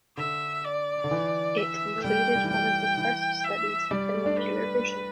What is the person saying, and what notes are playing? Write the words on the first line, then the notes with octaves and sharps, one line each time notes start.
It included one of the first studies of binocular vision.
D3 E5
D5
D3
E3
E5
A3
G3 G5
A3
G3
E3
G3 G5
E3
E5
G3 D5
A3
D4
B4